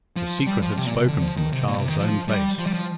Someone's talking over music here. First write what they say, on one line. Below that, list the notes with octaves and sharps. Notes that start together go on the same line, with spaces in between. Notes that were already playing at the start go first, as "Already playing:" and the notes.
The secret had spoken from the child's own face.
F3
G3
F3
C3
A#2
C3
D3
F3
D#3
C3
A#2
C3
D#3
F3
G3
F3
G3
F3